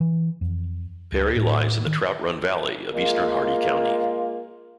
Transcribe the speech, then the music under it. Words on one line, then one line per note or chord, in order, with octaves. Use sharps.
Perry lies in the Trout Run Valley of eastern Hardy County.
E3
F2
C#2
A2
D#3
G#3 A#3 F4